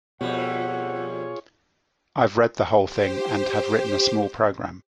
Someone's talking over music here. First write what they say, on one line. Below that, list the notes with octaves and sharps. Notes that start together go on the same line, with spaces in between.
I've read the whole thing and have written a small program.
F2 B2 G3 F4 G#4 C#5 F#5
G4 C5